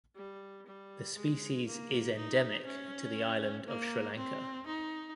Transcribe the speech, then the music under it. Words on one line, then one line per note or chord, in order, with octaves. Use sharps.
The species is endemic to the island of Sri Lanka.
G3
G3
G#3
A#3
D#4
C#4
A#3
C4
D#4